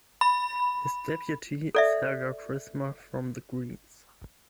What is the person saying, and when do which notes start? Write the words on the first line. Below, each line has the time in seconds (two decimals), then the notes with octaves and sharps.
His deputy is Helga Krismer from the Greens.
0.21 B5
1.75 A4 D5 E5